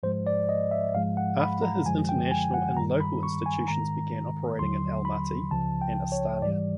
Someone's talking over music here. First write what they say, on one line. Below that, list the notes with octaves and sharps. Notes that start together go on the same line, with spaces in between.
After this international and local institutions began operating in Almaty and Astana.
G#2 F3 G#3 C5
D5
D#5
E5
G#2 F3 G#3 F5
F#5
B5
A#5
F#2 D3 F3 G#3 G#5
G5
G#5
F#5
G2 D#3 G3 A#5
B5
C#6
G#5
G#2 D#3 G#3 A#5
D#2 D3 F#3 C6
B5
C#2 C#3 F3 A5
G5
C#5
G#2 E3 G3 D5